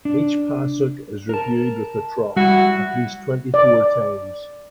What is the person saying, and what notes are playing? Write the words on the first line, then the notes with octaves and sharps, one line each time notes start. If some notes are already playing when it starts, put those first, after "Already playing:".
Each pasuk is reviewed with the tropp at least twenty-four times.
D4
A#4 A5
G3 E4 F#4
D5